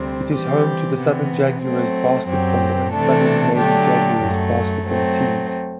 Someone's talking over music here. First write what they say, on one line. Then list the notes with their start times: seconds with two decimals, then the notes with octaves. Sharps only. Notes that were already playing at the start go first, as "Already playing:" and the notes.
It is home to the Southern Jaguars basketball and Southern Lady Jaguars basketball teams.
Already playing: D2 C3 G3 C4
0.33 E3 G3 C4 G4
0.98 C3 E3 B3
1.63 F#3 A3 C4
2.28 F#2 F#3 C4 G4
2.92 C3 E3 A3 D4 A4
3.56 D3 F#3 A3 D4 G4
4.22 F#2 F#3 A3
4.85 F#3 A3 C4